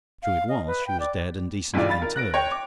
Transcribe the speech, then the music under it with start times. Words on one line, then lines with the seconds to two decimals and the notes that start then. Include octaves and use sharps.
True it was, she was dead and decently interred.
0.23 F5
0.49 D#5
0.67 B4
0.87 G5
1.00 D5
1.74 E1 B1 E3 G3 F4 D5
1.88 F5 B5 A6
2.02 A#4
2.16 F#6 A#6 D7
2.34 C#5 G5
2.51 D6